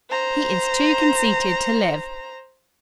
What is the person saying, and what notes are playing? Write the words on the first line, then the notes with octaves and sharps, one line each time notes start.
"He is too conceited to live."
C5 A#5